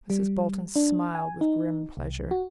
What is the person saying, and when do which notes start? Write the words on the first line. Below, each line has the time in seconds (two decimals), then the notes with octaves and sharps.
Mrs. Bolton smiled with grim pleasure.
0.10 G3
0.76 D4
1.15 G#5
1.41 D#4
1.97 C2
2.31 F#4